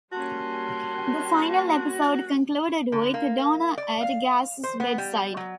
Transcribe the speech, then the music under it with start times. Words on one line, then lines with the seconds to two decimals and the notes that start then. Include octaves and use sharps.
The final episode concluded with Donna at Gaz's bedside.
0.12 G3 A#3 C#4 F#4 A5 C6
2.92 D3
3.14 A#3
3.78 D5
4.03 F5
4.64 C5
4.80 B3
4.98 G3
5.37 F#3